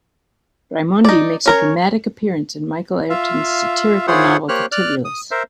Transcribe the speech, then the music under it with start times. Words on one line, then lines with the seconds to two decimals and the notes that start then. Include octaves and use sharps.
Raimondi makes a dramatic appearance in Michael Ayrton's satirical novel "Tittivulus".
1.04 D#4 D5
1.46 C#4 A#4 C#5
3.10 F4 E5 F5
4.07 E4 F4 G#4 C5 C#5 F#5
4.49 A#3 G4 C5 C#5 F6 F#6
4.72 D5 F6 F#6
5.05 D#6
5.31 A#4 C5 E5